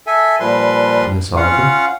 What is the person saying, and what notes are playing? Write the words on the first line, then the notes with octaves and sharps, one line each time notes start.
"Yes, Oliver?"
A4 E5 G#5
A#2 F3 G3 B4 C6
C#4 F4 F5 F#5